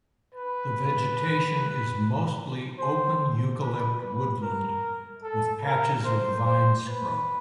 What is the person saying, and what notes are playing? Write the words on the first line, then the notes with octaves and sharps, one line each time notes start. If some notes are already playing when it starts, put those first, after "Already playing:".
The vegetation is mostly open eucalypt woodland with patches of vine scrub.
B4
C5
B4
B4
A#4
A4
A#4
C5
C5
B4